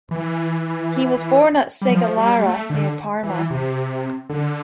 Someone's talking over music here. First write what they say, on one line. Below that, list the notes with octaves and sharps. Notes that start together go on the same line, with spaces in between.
He was born at Segalara near Parma.
E3
G3
F3
G3
A3
D3
E3
C3
D3